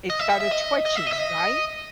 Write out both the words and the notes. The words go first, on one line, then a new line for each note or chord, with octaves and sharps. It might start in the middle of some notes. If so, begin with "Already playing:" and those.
it started twitching, right?
D#5
E5
E5
E5
D#5
D#5
E5
D#5
E5
D#5